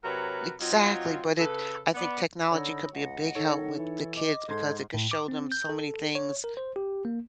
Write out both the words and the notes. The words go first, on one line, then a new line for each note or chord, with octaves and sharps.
Exactly, but it I think technology could be a big help with the kids because it could show them so many things
C3 F#3 A#4 B4 C#5 F#5
F#3 C4 D#4 F4
C#3 A4 B4
B3 D5
D3 D#4 C#5 B5 E6
C#2 D#5 F#5
D#3 D#4 A4 C#5
E3
D#5 D6
G#2 A4 C6 G6 G#6
A2
D6
C4
G6
A4
C#5
A#4
C5
G4
A#3